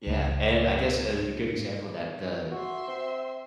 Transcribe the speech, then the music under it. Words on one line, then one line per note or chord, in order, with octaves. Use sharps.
Yeah, and, I guess, a good example of that, the
C#2 A3
F#4 E5 C6
C4